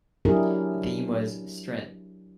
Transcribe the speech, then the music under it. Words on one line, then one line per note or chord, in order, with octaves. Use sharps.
The theme was "strength".
F#3 D4 E4 G4 G#4 A#4